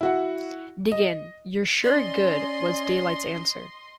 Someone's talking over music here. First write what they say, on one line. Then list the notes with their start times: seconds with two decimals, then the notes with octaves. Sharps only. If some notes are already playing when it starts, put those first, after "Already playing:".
Dig in; you're sure good, was Daylight's answer.
0.01 E4 F#4 F#5
0.92 D#5
1.84 C#4 D5 D#5 C6